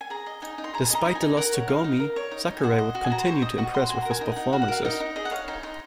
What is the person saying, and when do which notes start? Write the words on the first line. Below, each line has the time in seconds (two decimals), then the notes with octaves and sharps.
Despite the loss to Gomi, Sakurai would continue to impress with his performances.
0.01 G#5
0.10 G#4 A#5
0.26 D#5
0.42 D#4 G#5
0.58 D#4
0.64 C6
0.74 G#4 A#5
0.85 G#5
0.90 D#5 A#5
1.05 D#4
1.15 G#5
1.21 D#4
1.37 A#4 F#5
1.53 C#5
1.68 D#4 F5
1.84 D#4
2.00 A#4
2.16 C#5
2.31 D#4
2.48 D#4
2.57 G#5
2.63 C5 F#5
2.79 D#5
2.95 F#4
3.04 G#5
3.10 F#4 A#5
3.19 C6
3.26 C5 C#6
3.42 D#5 D#6
3.58 F#4 C#6
3.74 F#4 C6
3.89 F#4 G#5
4.02 A#4 A#5
4.11 G#5
4.21 D#4
4.32 D#4 F#5
4.53 F#4 F5
4.62 F#5
4.68 A#4 F5
4.85 D#4 D#5
5.00 D#4
5.16 G#4 D#5
5.25 F#5
5.31 C#5 F5
5.48 D#4 G#5
5.63 D#4 C6